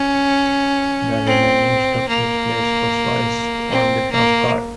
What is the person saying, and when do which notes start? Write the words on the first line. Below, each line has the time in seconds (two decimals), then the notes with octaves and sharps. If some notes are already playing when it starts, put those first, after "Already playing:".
The remaining stock is placed crosswise on the trump card.
Already playing: C#4
1.27 C4
2.08 A#3
3.71 C4
4.12 A#3